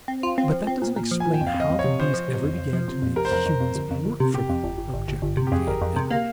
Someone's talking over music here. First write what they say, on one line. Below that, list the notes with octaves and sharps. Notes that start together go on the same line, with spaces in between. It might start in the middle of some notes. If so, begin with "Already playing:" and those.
"But that doesn't explain how the bees ever began to make humans work for them," objected Van Emmon.
C4
F4
C4
F3
C4
A#2
A#2
F3
G#5
A#2
G5
F2
F5
F2
D#5
F2
C#5
C3
F3 C5
F3
C3
F2
F2
F3
C3
F2
C3 A#4
C5
F2 A#4
F2
F2
G1
F2
G1
C3
C3 G4
F2
G1
G1
G1
G1
G1
C3
G4
F2 G#4
G1 A#4
F2
C3
A#3 F5